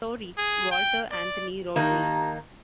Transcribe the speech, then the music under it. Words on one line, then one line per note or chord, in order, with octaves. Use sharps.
Stories: Walter Anthony Rodney.
G#4
G5
D5
D#3 A#3 D#4 G4 A5 A#5